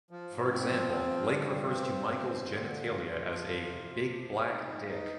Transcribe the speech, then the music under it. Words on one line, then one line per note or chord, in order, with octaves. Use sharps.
For example, Lake refers to Michaels' genitalia as a "big black dick".
F3
G#2
C4
F3
C4
F3
G3
G2
C4
G2
C4
G2
D3
G2
F4
F4
F3
F4
C3
C3
F3
C3
D#4
G2
D#4